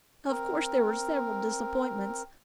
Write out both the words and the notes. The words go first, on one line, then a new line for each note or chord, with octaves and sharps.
Of course there were several disappointments.
C4 A#4